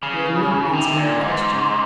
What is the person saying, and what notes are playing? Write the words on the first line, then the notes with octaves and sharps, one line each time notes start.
You have not answered my question.
C#3
C3
A#2
G#2